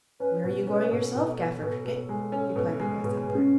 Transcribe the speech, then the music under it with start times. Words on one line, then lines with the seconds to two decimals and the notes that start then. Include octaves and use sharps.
'Where are you going yourself, Gaffer Cricket?' replied the Grasshopper.
0.20 C#4 B4
0.43 B2 B4
0.67 C#4 B4
0.90 B2 A4
1.15 B2
1.38 B2
1.62 B2
1.85 B2
2.09 G#3
2.32 C#4
2.56 B2
2.80 G#3
3.04 B2 G#4
3.27 B2
3.35 C#4